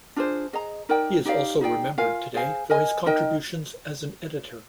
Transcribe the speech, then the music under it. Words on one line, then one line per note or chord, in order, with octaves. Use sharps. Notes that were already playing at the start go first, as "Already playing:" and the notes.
He is also remembered today for his contributions as an editor.
D4 F4 G#4 C5
G#4 D#5 A#5
D#4 A#4 D5 G5
D#4 G4 D5 F5
D#4 G#4 D5 G5
F4 A#4 F5 G#5
G#4 C5 F5 G#5
A#4 D#5 G#5
D#4 A#4 D#5 G5